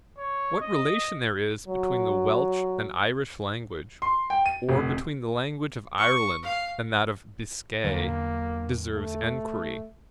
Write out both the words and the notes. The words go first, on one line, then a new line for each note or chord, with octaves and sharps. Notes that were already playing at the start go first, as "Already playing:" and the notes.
'What relation there is between the Welch and Irish language, or between the language of Ireland and that of Biscay, deserves enquiry.
C#5
D#5
F#3
C6
G5
D#7
F1
C#6
F5
E2 D3 F#3 A#3
A3